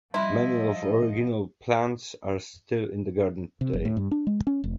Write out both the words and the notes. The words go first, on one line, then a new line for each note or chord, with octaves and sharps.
Many of the original plants are still in the garden today.
F3 G3 E4 D#5 E5 B5 C6
C3
F#1
A2
G2
D4
G#3
C#4
F1